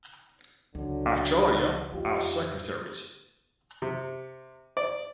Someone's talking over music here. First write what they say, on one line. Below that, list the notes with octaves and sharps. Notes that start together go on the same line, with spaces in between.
Acharya as secretaries.
C#2 D3 F#3
F2 D#4 F4 G4
C3
D5